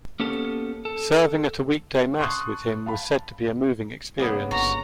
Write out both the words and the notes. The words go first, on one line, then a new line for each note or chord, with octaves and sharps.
Serving at a weekday mass with him was said to be a moving experience.
A#3 B3 C#4 G4 A4
A4
A5 C6 C#6 D#6 F#6 C7
F5 A5 B5
C#3 A#3 B3
G1 F#4 A#5